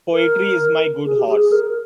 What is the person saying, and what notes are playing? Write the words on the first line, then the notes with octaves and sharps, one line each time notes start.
Poetry is my good horse.
A#4
G#4
G4
G#4
G#4
A#4